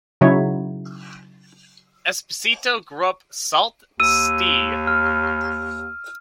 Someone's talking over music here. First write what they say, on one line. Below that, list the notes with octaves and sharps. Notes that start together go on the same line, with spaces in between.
Esposito grew up Sault Ste.
C#3 F#3 D#4 E4 C#5
D#2 E6 D#7
F6